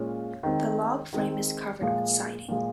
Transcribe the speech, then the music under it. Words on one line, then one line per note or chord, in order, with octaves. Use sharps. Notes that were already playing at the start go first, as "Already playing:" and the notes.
The log frame is covered with siding.
Already playing: A#2 G#3 C#4 F4
D#3 G#3 C4
D#3 G#3 C4
A#2 F3 G#3
A#2 F3 G#3